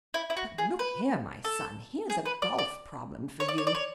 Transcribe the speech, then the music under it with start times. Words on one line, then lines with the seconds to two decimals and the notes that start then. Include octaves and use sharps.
But look here, my son, here's a golf problem for you.
0.14 E4
0.30 E4
0.37 F#4
0.58 G#4
0.79 B4
1.45 A4
2.10 G#4
2.26 B4
2.42 D5
2.58 D5
3.40 C#5
3.48 D5
3.58 C#5
3.67 D5
3.75 C#5